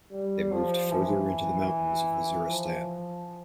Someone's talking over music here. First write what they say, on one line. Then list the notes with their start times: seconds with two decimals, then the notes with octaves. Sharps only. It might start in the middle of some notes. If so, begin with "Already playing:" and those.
They moved further into the mountains of Waziristan.
0.12 G3
0.51 F3
0.91 E3
2.49 F3